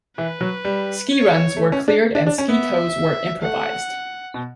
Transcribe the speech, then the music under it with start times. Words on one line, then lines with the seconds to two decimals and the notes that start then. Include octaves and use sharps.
Ski runs were cleared and ski tows were improvised.
0.18 E3 B4
0.41 F#3
0.65 G3
1.11 C#5
1.57 A3
1.72 C#4
1.88 D4
2.15 D4
2.27 D4
2.38 C#4
2.49 B3 E5
3.42 A3 F#5
4.34 B2